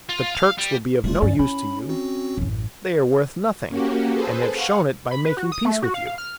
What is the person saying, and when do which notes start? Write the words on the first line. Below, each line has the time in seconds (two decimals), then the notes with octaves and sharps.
The Turks will be of no use to you; they are worth nothing and have shown it by making peace with you.
0.09 F4
0.35 F5
0.58 G3
1.04 E1 G3 A3 E4 F4
1.22 G2 C#4 D5
1.39 C#4 E4 B5
1.89 C4 F#4
2.38 A1 F#2
3.69 A#3 C#4 F#4 G4
4.12 G#4 A4 B4 C5
4.51 F5 F#5 C#6
5.11 B5
5.25 B4
5.37 F#4
5.52 D#6
5.65 A3
5.82 F#4
5.94 F5
6.06 F5
6.18 F6